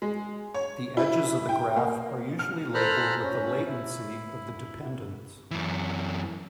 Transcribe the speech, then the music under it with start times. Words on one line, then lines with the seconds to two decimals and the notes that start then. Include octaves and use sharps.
The edges of the graph are usually labelled with the latency of the dependence.
0.02 G#3
0.54 C#5
0.97 E4
1.49 G5
1.76 A#3
2.39 F6
2.74 A4 C5 A#5 B5 F6 F#6
3.23 C#4
3.67 E4
5.51 F#2 E3